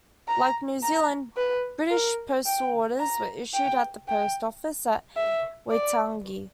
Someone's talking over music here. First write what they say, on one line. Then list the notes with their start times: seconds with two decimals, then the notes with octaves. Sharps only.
Like New Zealand, British postal orders were issued at the post office at Waitangi.
0.28 A#5
0.83 A#5
1.37 B4
1.91 A#4
2.46 G5
2.99 A#5
3.54 G5
4.08 G5
5.16 E5
5.71 D5